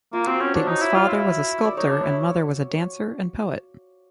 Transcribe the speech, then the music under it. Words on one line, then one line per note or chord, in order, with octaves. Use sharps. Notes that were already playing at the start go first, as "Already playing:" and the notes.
Dayton's father was a sculptor and mother was a dancer and poet.
A#3 F4
C4 F#4
C#4 C5
D4 C#5
D#4
E4
F4
E4
D5
D#4 C#5
D4
E4